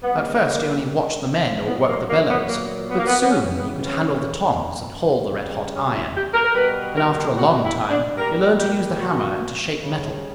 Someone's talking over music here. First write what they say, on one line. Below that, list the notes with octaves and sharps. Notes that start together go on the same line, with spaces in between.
At first he only watched the men or worked the bellows, but soon he could handle the tongs and hold the red-hot iron, and after a long time he learned to use the hammer and to shape metal.
C#3 G3 B3
A#3
A#3
A#2 F#3 B3
A#3
A#3
B3
A#3
B3
A#3
B3
B3
C#3 E3 G3 C#4
B3
C#4
C#3 G3
C#4
F#4
E4
G4
A#4
A#4
B2 G3 B4
A#4
F#4
E4
D4
A#2 G3 A#4
G4
F#4
C#3 G3